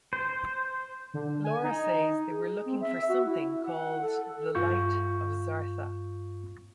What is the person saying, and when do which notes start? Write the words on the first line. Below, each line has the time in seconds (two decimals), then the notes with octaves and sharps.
Laura says they were looking for something called the Light of Zartha.
0.13 C5
1.14 D3
1.44 G#5
1.63 D#4
2.30 G#4
2.65 C4
2.81 E5
3.09 F#4
3.25 E4
3.65 F#5
4.02 A4
4.55 G2 F4 C#6 G6